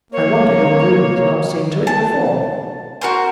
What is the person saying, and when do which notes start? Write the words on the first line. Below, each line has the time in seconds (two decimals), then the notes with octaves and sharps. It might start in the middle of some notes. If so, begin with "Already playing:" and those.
I wonder your groom has not seen to it before.
0.12 A#3 C#5
1.87 A5
3.01 F#4 A#4 C5